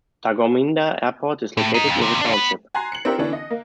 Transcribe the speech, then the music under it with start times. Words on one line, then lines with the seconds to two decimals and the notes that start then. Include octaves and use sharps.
Thargomindah Airport is located near the township.
1.57 A2
1.74 G#3 D#4
1.89 F2
2.01 D#2 C3
2.21 D4 F4
2.34 B3 B4
2.74 G#5 A#5 C6 F#6 G#6 C7
2.92 C#7 F#7
3.05 C4 D4 E4 G4 A#4
3.18 D3 E3 B3 C#4 D4
3.33 D#5
3.50 A#3